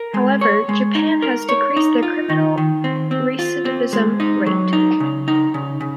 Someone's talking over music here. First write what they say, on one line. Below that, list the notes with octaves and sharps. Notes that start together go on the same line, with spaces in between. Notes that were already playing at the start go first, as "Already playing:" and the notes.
However, Japan has decreased their criminal recidivism rate.
Already playing: A#4
G#3
C#5
G#3
D#4
A#4
C#5
D#4
F4
D#3
D#3
C4
C4
F4
C4
G#3
D#4
F#3
D#4
C#3
D#4
C#3
C#3